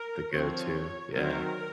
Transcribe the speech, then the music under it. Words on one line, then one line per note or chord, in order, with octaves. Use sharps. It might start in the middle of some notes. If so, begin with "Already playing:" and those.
The go-to. Yeah.
Already playing: A#4
F3 C4 C#5
D#3 F#3 C4 A#4